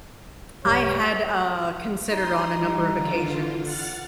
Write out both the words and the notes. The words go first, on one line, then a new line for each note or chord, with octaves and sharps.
I had, uh considered on a number of occasions
C2 F#2 G3 C#5
D#4 C6 D#6
E3 G3
D3 F4
F#5 F6 A6